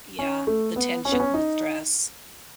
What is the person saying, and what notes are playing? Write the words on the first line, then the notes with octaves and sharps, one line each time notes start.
Yeah, the tension and the stress.
C#4
A3
B3
C#4
B3
C#4
D#4